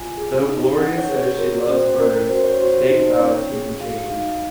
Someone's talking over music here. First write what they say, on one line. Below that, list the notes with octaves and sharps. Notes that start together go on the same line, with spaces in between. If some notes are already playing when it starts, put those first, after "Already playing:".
Though Gloria says she loves Burns, Snake vows he can change.
Already playing: F4 G#5
G#4
D#4
C#4 F#5
C#5
G#4
C#5
F#4 A#4
C#4 C5
C#4 A#4
A#4
F#4 C5
C#5
F#4 C5
D#4 C5
C#4 C#5
G#4
F#4 F5
D#4 F5